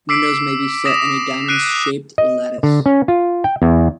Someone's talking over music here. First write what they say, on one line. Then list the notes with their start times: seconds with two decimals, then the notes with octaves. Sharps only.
Windows may be set in a diamond-shaped lattice.
0.09 D6 E6 B6 C7 D7
0.85 D#6 A#6 B6 E7
1.48 F#6 C7 D7 D#7
2.18 D#5
2.63 D3
2.86 C#4
3.08 F4
3.44 G5
3.62 E2